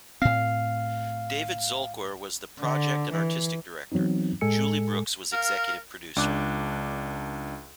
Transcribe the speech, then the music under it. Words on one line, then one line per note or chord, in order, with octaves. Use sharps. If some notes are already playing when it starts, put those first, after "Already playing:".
David Zolkwer was the Project and Artistic Director, Julie Brooks was Executive Producer.
A2 C4 F5
D3
E3
E3 F#3 B3 C4 D#4
A2 G#3 A4 G#5 E6 C#7
A#4 F5
C#2 D4 D6 F#6